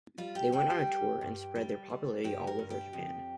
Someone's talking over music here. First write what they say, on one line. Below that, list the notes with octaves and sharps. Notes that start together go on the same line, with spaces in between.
They went on tour and spread their popularity all over Japan.
G3 F4
G4
G3 G5
G4
G2
G2
G3
G3
G2 G4
A#4
G2
G4
F2